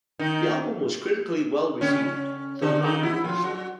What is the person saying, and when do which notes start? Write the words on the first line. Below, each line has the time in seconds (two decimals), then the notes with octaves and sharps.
The album was critically well-received, though not universally.
0.19 D#3 D#4
1.81 C#3 C#4
2.62 D3 D4
2.82 D#3 D#4
3.03 E3 E4
3.24 F3 F4
3.43 F#3 F#4